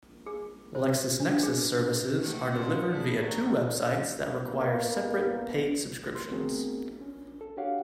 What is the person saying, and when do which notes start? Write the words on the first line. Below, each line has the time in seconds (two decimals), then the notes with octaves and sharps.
LexisNexis services are delivered via two websites that require separate paid subscriptions.
0.26 G#4
0.75 C5
1.20 D4
1.43 G#4
2.19 C3 A3 A#3 F#4
2.51 D2 A#3 C#4 D4 F4 F#5
2.89 E2 A2 G#3 D4 E4
3.21 F#3
4.47 A2 A#3 B3
6.15 C6
6.31 A3 B3 C4 F#4 G#4 A#4
7.01 C#4
7.41 A4
7.57 D4 F#4 G4 C#5 F5 F#5